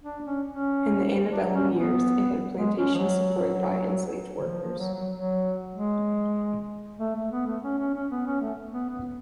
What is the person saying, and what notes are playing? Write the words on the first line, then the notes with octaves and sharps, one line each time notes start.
In the antebellum years it had plantations supported by enslaved workers.
D4
C#4
C#4
D4
C#4
B3
G#3
C#4
F3
F#3
D3
F3
F3
F#3
F#3
F#3
G#3
A3
A3
B3
A3
C#4
C#4
C#4
B3
C#4
A3
B3
B3